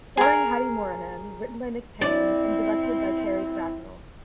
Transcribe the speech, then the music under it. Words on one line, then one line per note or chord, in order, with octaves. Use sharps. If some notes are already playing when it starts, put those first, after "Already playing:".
Starring Hattie Morahan, written by Nick Payne and directed by Carrie Cracknell.
G#4 A#4
C4 E4 D5